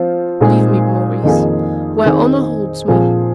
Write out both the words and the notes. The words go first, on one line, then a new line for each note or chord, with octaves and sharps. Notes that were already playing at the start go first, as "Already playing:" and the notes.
Leave me, Maurice, where honor holds me.
Already playing: F3 C4 F4
A#2 G#3 C4 D#4 G#4
F2 D#3 A#3 F4 G#4
D#3 C4 D#4 G#4
A#2 F3 C4 G#4